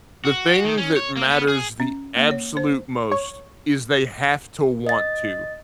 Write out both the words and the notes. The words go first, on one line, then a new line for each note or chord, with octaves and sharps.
The thing that matters the absolute most is they have to want to.
F#4
D#3
C#4
C#5
A#3
B3
G#4
C#4
A#3
C#5
C5
C#5
D#5 A6